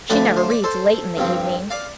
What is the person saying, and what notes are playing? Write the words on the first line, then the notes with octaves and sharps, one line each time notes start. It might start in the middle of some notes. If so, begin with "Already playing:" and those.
She never reads late in the evening.
D2 D3 F3 B4 D5
C5
D5
A4 C5
G2 F3 C4
D5 F5